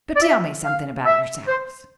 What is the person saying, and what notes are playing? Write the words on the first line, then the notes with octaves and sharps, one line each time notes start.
"But tell me something about yourselves."
D5
E5
F5
E5
C5